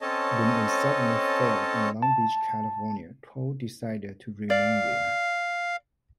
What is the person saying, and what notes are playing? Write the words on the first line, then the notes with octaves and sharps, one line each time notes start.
When it suddenly failed in Long Beach, California, Cole decided to remain there.
C4 C#4 A4 C#5 D#5 A5
A5
D5 F5